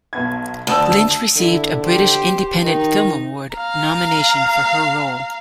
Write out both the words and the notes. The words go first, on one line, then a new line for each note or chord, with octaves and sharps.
Lynch received a British Independent Film Award nomination for her role.
B1 B3 G#6
D2 A5 D#6 E6
D3 E4
G4 C5
D#3 D#4
F5 A#5